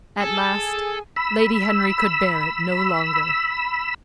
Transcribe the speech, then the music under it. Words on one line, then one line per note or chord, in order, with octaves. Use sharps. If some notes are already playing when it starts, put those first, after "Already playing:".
At last Lady Henry could bear it no longer.
G#4 A4 G#5
B5 E6